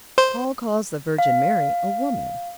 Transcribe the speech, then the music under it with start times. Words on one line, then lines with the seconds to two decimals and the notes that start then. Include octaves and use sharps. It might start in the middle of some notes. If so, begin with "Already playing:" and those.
Paul calls the Virgin Mary a woman.
0.18 C5
1.18 F5